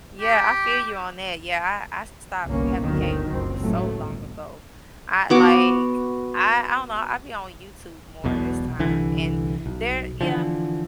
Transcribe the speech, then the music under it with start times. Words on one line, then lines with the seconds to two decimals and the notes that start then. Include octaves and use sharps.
Yeah, I feel you on that. Yeah, I I stopped having cable so long ago. I like, I I don't know, I be on YouTube more this time and there yeah.
0.21 G4
2.46 G1 C2 A#2 A#3 B3 C#4
2.82 G1 D2 D#3 F#3
3.31 F#1 C#2 C4
3.61 C#2 A2 F#3 A3
3.95 G1
5.30 B3 F#4 D6
8.24 E1 B1 E2 B2
8.79 C2 D3 E3
9.66 B1
10.21 D3 E3 F3